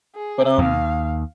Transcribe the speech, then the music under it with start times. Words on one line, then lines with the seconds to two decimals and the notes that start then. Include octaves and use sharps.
But, um,
0.15 G#4
0.58 D#2 F5